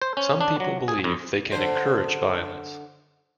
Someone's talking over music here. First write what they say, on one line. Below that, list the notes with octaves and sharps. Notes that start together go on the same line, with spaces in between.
Some people believe they can encourage violence.
C5
C#4
D4
F#3
G#4
F2
D3 C5